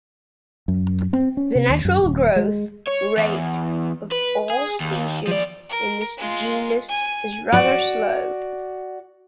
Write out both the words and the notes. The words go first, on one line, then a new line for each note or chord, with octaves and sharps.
The natural growth rate of all species in this genus is rather slow.
F#2
C4
C#4
C3
D#2
F#2
D#1
G#3
C#5
E2
B4
G#4
D#2
F3 D5
A#4
G#3 F4
G#5
F#4 D5